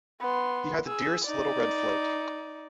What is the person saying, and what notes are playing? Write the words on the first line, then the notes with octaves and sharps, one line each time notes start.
He had the dearest little red float.
B3 C6
G#4 E6
D#4 D5